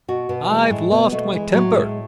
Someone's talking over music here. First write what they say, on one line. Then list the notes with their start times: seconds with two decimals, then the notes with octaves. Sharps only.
I've lost my temper.
0.08 B2 F#4
0.29 B2 B3
0.50 E3 G#3
0.70 A2 G#3
0.91 B2 B3
1.12 B2 A3
1.33 E3 G#3
1.53 A2 F#3
1.74 A2 G#3